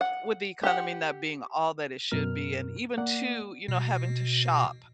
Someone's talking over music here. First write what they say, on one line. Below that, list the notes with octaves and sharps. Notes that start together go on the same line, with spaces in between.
with the economy not being all that it should be, and even too, you know, having to shop,
F#5
G4 F#5
F#2 B2 A#4 F6
A#3 D5 F#5
B2